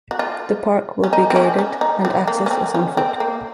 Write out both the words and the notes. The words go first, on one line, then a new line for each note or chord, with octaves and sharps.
The park will be gated and access is on foot.
F#4
F4
C#4
D#4
C4
C#4
C#4
D#4
C4
A#3
C#4
C4
C#4
C4
A#3